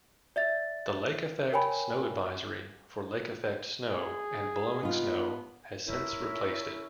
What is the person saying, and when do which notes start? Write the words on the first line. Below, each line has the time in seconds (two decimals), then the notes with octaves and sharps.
The Lake-Effect Snow Advisory for Lake-Effect Snow and Blowing Snow has since replaced it.
0.36 D5 E5 A6
1.52 A#4 C#5 G5 G#5 B5
3.92 G#4
4.83 B3 D#4 F4
5.86 C#4 E4 A#4